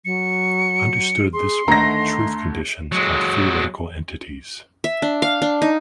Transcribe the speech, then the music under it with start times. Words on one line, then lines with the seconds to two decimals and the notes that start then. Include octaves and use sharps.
Understood this way, truth conditions are theoretical entities.
0.05 F#3 C#7
1.33 G#4 C6
1.68 D2 D3 D#3 A3 A#5 A#6
2.92 F#3 G#3
4.84 E5
5.02 D4
5.22 F5
5.42 D4
5.62 D#4